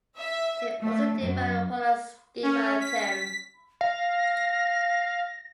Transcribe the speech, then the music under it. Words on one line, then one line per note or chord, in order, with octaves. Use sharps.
He also developed Holland's schema theorem.
E5
A3
F#2
C#4
B6
F5 A#6